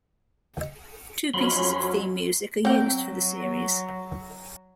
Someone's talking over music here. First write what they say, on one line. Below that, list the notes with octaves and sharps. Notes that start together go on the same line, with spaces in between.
Two pieces of theme music are used for the series.
F2 F#3 C#4 B5 C6
F#3 C4 G5